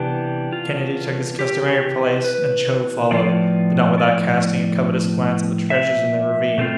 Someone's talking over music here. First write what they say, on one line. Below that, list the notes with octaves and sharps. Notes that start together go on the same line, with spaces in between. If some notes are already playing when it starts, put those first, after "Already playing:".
Kennedy took his customary place, and Joe followed, but not without casting a covetous glance at the treasures in the ravine.
Already playing: C3 E3 B3 D4 G4
F4
G4
B4
A2 F3 B3 F4 D5
D5
E5
B2 A3 C4 F4